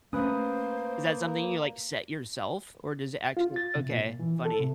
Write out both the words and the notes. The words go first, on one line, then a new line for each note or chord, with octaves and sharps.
Is that something you, like, set yourself or does it actually Okay, funny.
A3 A#3 C#4 B4 C5 D#6
F4
A6
C3
A#2
E3
A4
C3